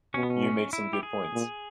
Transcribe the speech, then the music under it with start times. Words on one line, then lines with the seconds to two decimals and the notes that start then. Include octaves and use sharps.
You make some good points.
0.14 B2 C#4
0.23 B3
0.30 C#4
0.73 E4
0.93 G4
1.03 G#4
1.33 A#2